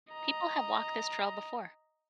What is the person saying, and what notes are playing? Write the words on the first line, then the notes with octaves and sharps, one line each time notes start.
People have walked this trail before.
D#5 A#5